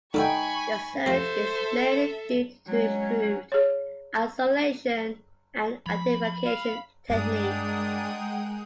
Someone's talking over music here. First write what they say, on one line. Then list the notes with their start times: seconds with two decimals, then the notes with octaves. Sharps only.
The surge is mainly due to improved isolation and identification technique.
0.14 D3 D#4 E4 F#4 G5 G#5 B5 C#6
1.06 C3 F3 A4 C5 E5
2.67 F#3 G#3 C#4
3.52 G#4 C#5
5.86 F3 B5
6.45 F5
7.10 G2 G#3 D4 G#4 A#4 F#5 G5 D#6